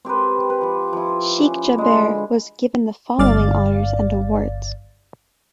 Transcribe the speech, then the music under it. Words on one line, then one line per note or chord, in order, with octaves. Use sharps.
Sheikh Jaber was given the following honors and awards.
C4 G4 A#4 B4
B4
F3
F3 E4
C#4
D3 G#3
G1 D5 F5 A6